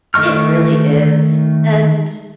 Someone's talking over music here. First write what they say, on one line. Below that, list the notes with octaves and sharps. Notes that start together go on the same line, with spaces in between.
It really is. And,
D#3 A3 D#5 C#6 F6